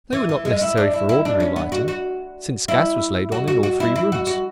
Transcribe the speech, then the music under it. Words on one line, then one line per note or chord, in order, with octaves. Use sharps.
They were not necessary for ordinary lighting, since gas was laid on in all three rooms.
E3
E3
G#3
E4
D4
E4
E4
D4
C#4
B3
F#4
F#4
E4
F#4
F#4
F#4
E4
E4
F#4
F#4